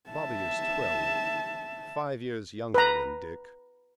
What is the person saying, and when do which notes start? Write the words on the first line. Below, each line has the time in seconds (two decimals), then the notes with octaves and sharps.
Bobby is twelve--five years younger than Dick.
0.10 E5 A5
2.74 B4 A#5